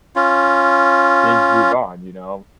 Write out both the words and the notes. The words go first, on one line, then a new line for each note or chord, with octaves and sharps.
Things move on, you know?
C#4 F4